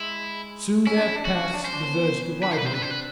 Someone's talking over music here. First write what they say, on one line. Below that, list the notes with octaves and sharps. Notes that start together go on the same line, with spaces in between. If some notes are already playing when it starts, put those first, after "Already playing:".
Soon their paths diverged widely.
Already playing: G#3 E4
C#4 E4
D4
C#4
D4
C#4 F#4
D4
C#4
D4
C#4 C5
D4
B3 C#4
D4 B4
D#4 C5
B4
C4 D4 C5
B4
C5
B4